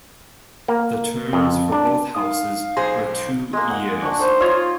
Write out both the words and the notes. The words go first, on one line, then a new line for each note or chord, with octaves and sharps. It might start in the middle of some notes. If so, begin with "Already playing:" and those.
The terms for both houses are two years.
A#3
F2
D4
D#4 F5 D#6
B1 G#4 C5 C6 A#6
G#3 A#3
F#5
D4 C#6
D#4 C5
F4 C#5 D#5 F5